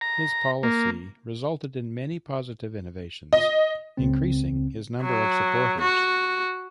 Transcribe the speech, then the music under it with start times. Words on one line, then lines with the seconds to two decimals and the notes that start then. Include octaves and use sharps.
His policy resulted in many positive innovations, increasing his number of supporters.
0.01 A#5
0.63 A#3
3.33 D#5
3.97 C#2 C#3 C4
5.03 F#3
5.81 F#4